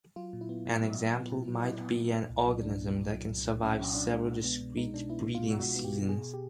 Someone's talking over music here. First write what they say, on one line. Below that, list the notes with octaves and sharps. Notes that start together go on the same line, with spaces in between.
An example might be an organism that can survive several discrete breeding seasons.
F#3 F4
A#2
E4
B3
A#2
F#3
A#2
B3
A#2
F#3
A#2 E4
B3
A#2
A#2
C2
F#3
C2 D4
A#2
C2
F#3
C2
A#2
C2 C#4
F#3 C#4
C2 D4
G#3
B2
B3
B2
G#3 D#4
B2 D4
B3 E4
B2
F4
G#3
B2 F#4
B3
G4
B2
B2 G#4
G4